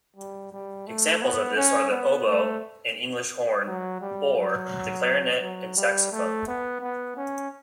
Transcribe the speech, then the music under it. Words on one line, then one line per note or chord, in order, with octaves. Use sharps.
Examples of this are the oboe and English horn or the clarinet and saxophone.
G3
G3
A3
B3
C#4
B3
A3
F#3
G3
F#3
F#3
G3
A3
B3
B3
C#4